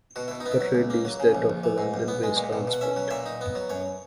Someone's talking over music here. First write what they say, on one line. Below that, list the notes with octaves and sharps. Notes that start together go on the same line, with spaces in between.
Her trade is that of a London-based transport.
B2 F#4
B2 E4
D#4
B3
E4
F#3
C#2
A#3
F#3
C#3
A#1
A#1
E3
G#2
B1
B3
G#3
A#2
B2
B2
F#5
C#4 E5
F#3
A#2 E5
D#4
B3
F#3
F#2 C#5